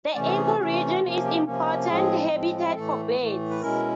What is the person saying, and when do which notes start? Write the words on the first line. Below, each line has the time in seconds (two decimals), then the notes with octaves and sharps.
The ecoregion is important habitat for birds.
0.15 C3 E3 A3 C#4 D5
0.27 A4
0.36 G#4
0.48 F#4
0.58 C3 E3 A3 C#4 F#4
0.73 F4
0.87 E4
1.01 C3 F3 A#3 C#4 F4
1.24 G4
1.45 C3 F3 A#3 C#4
1.88 A2 F3 G#3 C4 G#4
2.32 A2 F3 G#3 C4
2.75 A2 E3 A3 A4
3.18 A2 E3 A3
3.50 B4
3.62 B2 G#3 C#4 E4 A#4